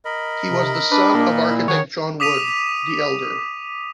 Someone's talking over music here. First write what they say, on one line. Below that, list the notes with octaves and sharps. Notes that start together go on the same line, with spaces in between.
He was the son of the architect John Wood, the Elder.
A#4 D#5 B5
C3
D4 B4
A#2
E4
D#3 G#4 C#5 F#5
D6 D#6 B6 D#7 F7